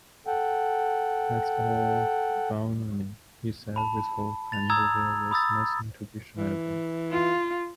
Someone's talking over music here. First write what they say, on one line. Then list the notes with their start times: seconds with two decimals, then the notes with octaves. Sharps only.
That’s all baloney,” he said with hope, “and there was nothing to be shy about.!
0.27 A4 F#5 G5
3.76 A5 B5
4.52 A6 F7
4.70 A#5 D#6 E6 G#6
5.31 B5 D#6 E6 A6
6.38 E3
7.11 F4